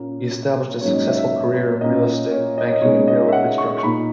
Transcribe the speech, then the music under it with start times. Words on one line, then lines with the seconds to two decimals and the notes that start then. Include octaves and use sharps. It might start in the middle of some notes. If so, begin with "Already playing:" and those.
He established a successful career in real estate, banking and railroad construction.
Already playing: A#2 A#3 C#4
0.80 G#2 F#3 A#3 C#4 C#5
0.93 D#5
1.07 E5
1.18 E5
1.81 A#2 A#3 C#4 D#5
2.06 D#5
2.32 C#5
2.58 D#5
2.65 C#5
2.73 D#5
2.82 C#3 G#3 B3 D#4 C#5
3.08 D#5
3.28 E5
3.33 F#5
3.58 C#6
3.78 C#6
3.83 A#2 A#3 D#4 B5